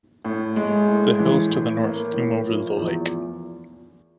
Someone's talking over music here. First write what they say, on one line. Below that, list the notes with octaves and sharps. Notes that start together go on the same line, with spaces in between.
The hills to the north loom over the lake.
A2
G#3
A2
E3
A2
A#3
A2
F3
E2